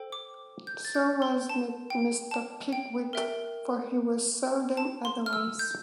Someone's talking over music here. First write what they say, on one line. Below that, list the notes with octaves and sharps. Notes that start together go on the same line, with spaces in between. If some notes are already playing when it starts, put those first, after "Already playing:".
So was Mr. Pickwick, for he was seldom otherwise.
Already playing: A4 C5 G5
D6
G6
A6
G6
C6
A5
G5
A5
G5
A#4 E5 G5
A5
C6
F6
E6
G6